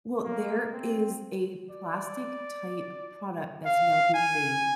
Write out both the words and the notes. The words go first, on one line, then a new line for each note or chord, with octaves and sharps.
Well, there is a plastic type product that's now being made,
A#3
C4
D5
F5
G#5